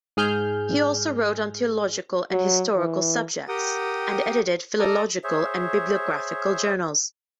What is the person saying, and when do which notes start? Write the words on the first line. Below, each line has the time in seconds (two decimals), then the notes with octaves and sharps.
He also wrote on theological and historical subjects, and edited philological and bibliographical journals.
0.17 G#2 G#4 F6 G6
2.32 F#3
2.77 E3
3.48 G4 A#4 F#5 G5 D#6
4.79 A4 D5 D#5 A#5
5.24 G#4 C5 C#5 E5